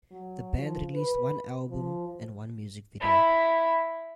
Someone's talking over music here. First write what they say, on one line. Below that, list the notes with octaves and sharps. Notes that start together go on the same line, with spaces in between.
The band released one album and one music video.
F#3
F3
B4
F3
E4 B5